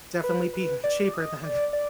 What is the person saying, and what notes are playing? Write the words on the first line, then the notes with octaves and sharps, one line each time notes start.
definitely be cheaper than
B4
B4
D5
D5
D#5
D5
D5